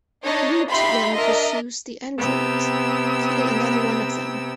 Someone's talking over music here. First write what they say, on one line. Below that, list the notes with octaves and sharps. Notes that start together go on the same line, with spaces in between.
Clute then pursues the androids, killing another one of them.
D4 D#4 C#5 D#5
D#4 F4 G4 E5 B5 C6
D4 A#4 D#5 E5
C3 B3 G5 E6